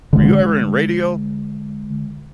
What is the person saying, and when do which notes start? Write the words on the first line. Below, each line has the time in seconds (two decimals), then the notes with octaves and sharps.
were you ever in radio?"
0.13 D3 G#3